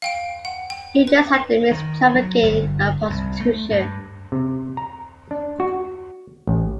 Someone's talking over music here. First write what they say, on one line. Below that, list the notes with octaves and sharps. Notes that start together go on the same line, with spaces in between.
You just had to mix trafficking and prostitution.
F5 G5 D7
F#5
G5
B4
D#3
F#3
G1
C2
A3
G2
C3
A#5
D4
F#4
A1